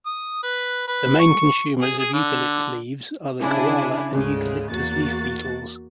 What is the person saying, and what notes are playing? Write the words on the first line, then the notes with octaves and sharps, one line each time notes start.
The main consumers of eucalypt leaves are the koala and eucalyptus leaf beetles.
D#6
B4
B4
C#6
G#4
G#4
D3
C#3 D4 E4 G#4
D2 G#2 C#3 G#3
E2 A#3 F#4 A6